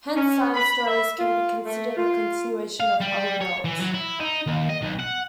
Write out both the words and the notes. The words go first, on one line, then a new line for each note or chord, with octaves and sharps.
Hence "Science Stories" can be considered a continuation of "Other Worlds".
C#4
B5
E5
F4
A3
F4
F5
G3
C#5
E3
F#3
E4
D#4
D#2
D#5
B1
F#5